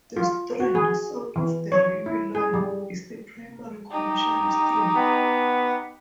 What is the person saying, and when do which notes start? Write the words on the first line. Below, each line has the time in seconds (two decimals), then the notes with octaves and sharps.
The Strand, south of the railway line, is the primary commercial strip.
0.17 F4
0.60 F#4
0.75 G#4
1.36 E3
1.72 C#5
2.06 E4
2.35 G#4
2.54 G3
3.91 D#4 G4
4.96 B3